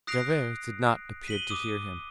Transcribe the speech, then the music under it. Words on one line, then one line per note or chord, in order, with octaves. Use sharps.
Javert did not appear to hear him.
D#6 F#6 A#6 C7 D7 F7
B6 D#7 F#7 G7
D6 D#6 D#7